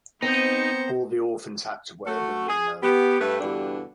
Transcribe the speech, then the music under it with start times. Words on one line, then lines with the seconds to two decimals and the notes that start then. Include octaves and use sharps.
All the orphans had to wear them, you know.
0.22 B3 C4 D#4 C5 A#5 C#7
2.06 A3 F#4 A4
2.48 G#4
2.83 B3 G4
3.20 G2 A3 B4
3.40 G2 B2 D3 E3 G3 D4